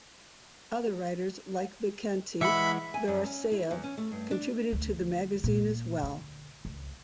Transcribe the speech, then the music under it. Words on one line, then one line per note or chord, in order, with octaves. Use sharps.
Other writers like Vikenty Veresayev contributed to the magazine as well.
E3 G#3 E5 F#5 B5
G#5
F#2
C#4
E4
E2
C#4
A3
G2
D4
D2
A#2
D3
C#2